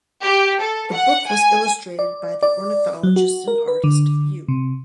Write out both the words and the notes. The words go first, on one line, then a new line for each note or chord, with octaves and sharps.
The book was illustrated by the ornithologist and artist Yu.
G4
A4
F#5
G#5
D5
D5
F#3
F#4
A#4
B4
D3
C3